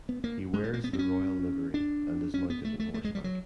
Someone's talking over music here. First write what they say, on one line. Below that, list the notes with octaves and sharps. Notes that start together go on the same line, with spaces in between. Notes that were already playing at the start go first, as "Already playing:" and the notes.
He wears the royal livery and is mounted on horseback.
B3
A#3
G#3
A3
A#3
B3
C4
C#4
D4
C#4
B3
A3
A3
A3
G#3
G3
F#3